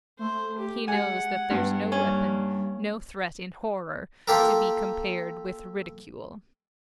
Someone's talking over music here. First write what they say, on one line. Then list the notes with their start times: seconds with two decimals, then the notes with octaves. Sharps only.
He knows that there's no weapon, no threat, in horror, to be compared with ridicule.
0.19 A3 C5
0.58 G4
0.88 G#3 F#5 G#5
1.51 G2 B3
1.92 G3 A#3 C#4
4.28 A#3 F4 G4 A4 A#4